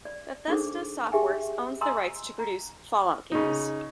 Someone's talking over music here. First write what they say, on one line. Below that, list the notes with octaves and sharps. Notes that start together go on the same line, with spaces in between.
Bethesda Softworks owns the rights to produce "Fallout" games.
D5
D4 D#4 G#4 A4 C5 D6
G4 G#4 E5 G5 G#5
D#5 G#5 A#5 C6 D#6 E6
A#5
C#3 D#4